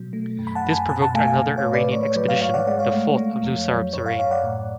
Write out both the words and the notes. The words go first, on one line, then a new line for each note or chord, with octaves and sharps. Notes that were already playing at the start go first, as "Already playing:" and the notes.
This provoked another Iranian expedition, the fourth in Luarsab's reign.
Already playing: B2 F#3
A3
F#2
B5
F#5 A5
F#2
G#5 B5
B2 F#5 A5
F#5 A5
A3 F5 G#5
F5 G#5
A3
C#5 F5
A2
B4 D5
A3 C#5
C#5
F#3 B4 D5
C#5 F5
G#2 C#5 F5
D5 F#5
G#3 D5 F#5
C#5 F5
A3
A3
F2
F#3
F#2 C#5
C#5 F5
F#2 C#5 F5
D5 F#5
A2